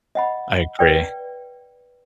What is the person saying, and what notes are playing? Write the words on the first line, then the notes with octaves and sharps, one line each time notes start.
I agree.
D#5 F#5 B5
B4 D5 G5